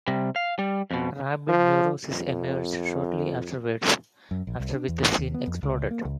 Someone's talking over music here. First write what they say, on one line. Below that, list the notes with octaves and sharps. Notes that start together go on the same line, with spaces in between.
Rabid Neurosis emerged shortly afterwards, after which the scene exploded.
C3 G3
F5
G3
F2 B2
F3
F2
F#2
A#1
C2
D4
E2
A1
D#2
B3
F2
C#2
A#3
C#2